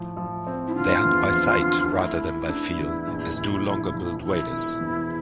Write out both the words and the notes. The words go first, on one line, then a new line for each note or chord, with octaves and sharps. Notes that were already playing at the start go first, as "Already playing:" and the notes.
They hunt by sight, rather than by feel as do longer-billed waders.
Already playing: A2 F3
F3
C4
E4
D3 F4
E2
F3
D3
A3 E4
A3
D4
E2
A#1
A#1
F3
F3
D4
E1 E4
E1
E2